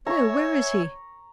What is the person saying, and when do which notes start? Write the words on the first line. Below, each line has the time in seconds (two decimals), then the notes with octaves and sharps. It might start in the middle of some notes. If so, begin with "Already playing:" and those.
"No, where is he?"
0.07 C#5 E5 G#5 A#5 C#6